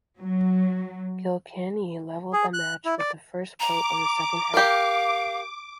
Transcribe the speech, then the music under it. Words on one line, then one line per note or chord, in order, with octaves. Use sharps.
Kilkenny leveled the match with the first point of the second half.
F#3
G#4
F#6
E4
D5
A#5 D6
G4 A#4 F5